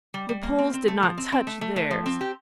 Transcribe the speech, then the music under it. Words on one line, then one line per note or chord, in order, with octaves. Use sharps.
The Poles did not touch theirs.
G3
G3
A#3
C4
C4
A3
F3
C4
C4
A3
A3
A3
F3
C4
G4